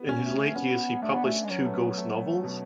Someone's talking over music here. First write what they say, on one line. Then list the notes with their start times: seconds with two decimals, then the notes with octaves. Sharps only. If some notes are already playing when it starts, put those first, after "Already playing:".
In his late years, he published two ghost novels.
Already playing: B3
0.09 C#4
0.24 A3
0.55 B3 C#4
1.02 A3 D4
1.14 B3
1.25 A3
1.44 G#3
1.50 F#3 C#4
1.58 B3
1.66 A3
1.74 B3
1.98 A3
2.44 B2